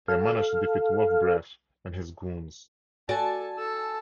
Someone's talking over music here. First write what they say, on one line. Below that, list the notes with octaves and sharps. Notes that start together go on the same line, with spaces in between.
They manage to defeat Wolfbreath and his goons.
A4 F5
F#4 A4 D5 G#5 A5
A4 E6